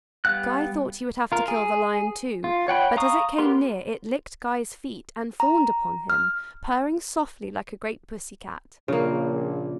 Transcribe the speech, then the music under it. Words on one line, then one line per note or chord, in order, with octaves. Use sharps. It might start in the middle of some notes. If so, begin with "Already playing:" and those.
Guy thought he would have to kill the lion too, but as it came near it licked Guy's feet and fawned upon him, purring softly like a great pussy-cat.
G3 B3 F5 F#5 F#6
F4 A#4
G#4
F4
C#5 F#5 G5 B5
F5 A#5 C#6 D#6
B3 G4 A#4 C6
A#5
F6
A#1 C#3 A#3